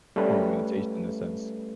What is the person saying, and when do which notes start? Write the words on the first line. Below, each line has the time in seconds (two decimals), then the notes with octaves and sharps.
form of meditation in a sense,
0.16 G3 A3 C#4 A4 B4